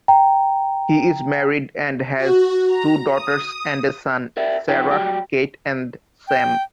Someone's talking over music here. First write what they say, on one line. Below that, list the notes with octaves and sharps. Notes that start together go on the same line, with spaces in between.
He is married and has two daughters and a son, Sarah, Kate and Sam.
G5 A#5
F#4
A#5
D#6
A#4 D5 E5
F2 D#4 F4 B4 G5
F#3 G3 G4
G5